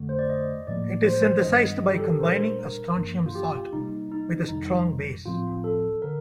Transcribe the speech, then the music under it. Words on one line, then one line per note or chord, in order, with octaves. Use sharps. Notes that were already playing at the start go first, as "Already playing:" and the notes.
It is synthesized by combining a strontium salt with a strong base.
Already playing: F2 D3 A3
C5
D5
D#5
A2 F3 A#3 D5
C5
G2 D#3 G3 D4 D#5
G4
A4
A#4
A#2 G3 D4 C5
A#4
G2 F3 A#3 D4
F4
G4
C3 G3 A#3 D#4
D#4
F2 C3 D#3 G3 D#4
A2 F3 C4 F4
A4
D3 A#4